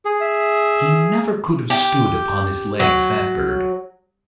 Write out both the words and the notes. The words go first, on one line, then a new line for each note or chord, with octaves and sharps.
He never could have stood upon his legs, that bird.
G#4
E5
G4
F#3